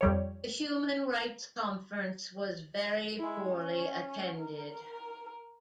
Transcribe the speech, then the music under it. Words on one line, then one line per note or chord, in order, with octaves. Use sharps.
The Human Rights Conference was very poorly attended.
F2 G3 C#5
G#3 E4
C#4
A#4
A#4